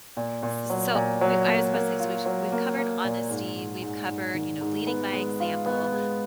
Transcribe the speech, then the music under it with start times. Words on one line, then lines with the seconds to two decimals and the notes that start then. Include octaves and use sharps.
S s so we I was supposed to so, which we've covered honesty, we've covered, you know, leading by example.
0.17 A#2
0.43 A#2
0.70 F#3
0.95 A#2
1.21 F#3
1.47 A#3
1.74 A#3
2.00 F4
2.25 F#3
2.52 A#3
2.78 A#3
3.04 A#2
3.30 G#2
3.56 G#2
3.82 G#2
4.08 G#2
4.34 D#3
4.61 G#2
4.87 B3
5.14 G#3
5.40 F4
5.66 B3
5.92 G#3